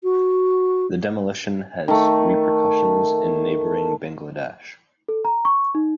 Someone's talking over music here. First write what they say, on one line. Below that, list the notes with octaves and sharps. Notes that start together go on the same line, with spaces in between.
The demolition has repercussions in neighboring Bangladesh.
F#4
D#3 A3
A4
A#5
C#6
D#4